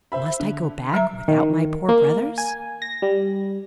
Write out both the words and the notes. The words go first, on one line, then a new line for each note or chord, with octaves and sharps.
"Must I go back without my poor brothers?"
C5 E5 B5
D3
F#3 E5 A#5 E6
D#3
A#3
G#5
A#6
G3